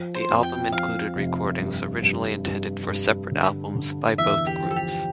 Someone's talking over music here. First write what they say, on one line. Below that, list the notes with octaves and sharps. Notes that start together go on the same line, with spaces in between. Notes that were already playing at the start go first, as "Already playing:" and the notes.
The album included recordings originally intended for separate albums by both groups.
Already playing: F3
C5
F2
G5
F3 F5
F1
G2
G2
G2
G2
D3
D3
E2 E5
G4
F3
A4
G4